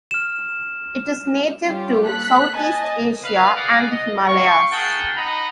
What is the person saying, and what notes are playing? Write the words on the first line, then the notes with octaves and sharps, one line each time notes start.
It is native to Southeast Asia and the Himalayas.
F6 E7
G3 C#4 F4 G4
A#3 A4 F#6 B6
D#5 G#5 A5
B4 F5
G#4 A#4 D5 F5 F#5
D#5
F5 G5 C#6
G#4 A#4 F#5 G5 A5
D#4 D#5 F#5 A#5 B5